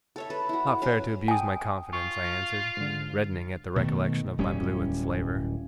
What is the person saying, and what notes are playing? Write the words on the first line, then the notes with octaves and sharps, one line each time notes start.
It's not fair to abuse my confidence,' I answered, reddening at the recollection of my blue enslaver.
A4 C#5 E5
A4 B4
E4 F#4
F#3 C#4 F#4
G5 G#5 D#6
F4 C#6
G#2 D3
B2 D#3 G#3 A3
D1 G3 C#4